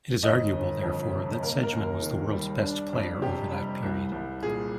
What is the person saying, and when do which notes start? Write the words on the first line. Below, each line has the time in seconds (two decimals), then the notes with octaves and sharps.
It is arguable, therefore, that Sedgman was the world's best player over that period.
0.23 G1 D#5
0.53 G1
0.83 F2
1.13 C3
1.43 A#3 A#4
1.63 A#4
1.73 D#2
1.83 A#4
2.02 D#3
2.33 G3
2.63 D4
2.93 F2
3.22 C3 G4
3.52 G3
3.83 C2
4.12 C2
4.42 A#2 G#4